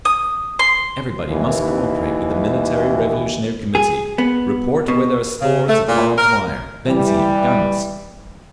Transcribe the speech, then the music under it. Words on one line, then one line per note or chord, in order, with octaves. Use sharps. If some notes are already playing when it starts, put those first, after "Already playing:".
Everybody must cooperate with the Military Revolutionary Committee, report where there are stores of barbed wire, benzine, guns....
D#6
C6
D#2 E3
G#4
B3
B2
C#3
A3
A#2
A#4
E3 G3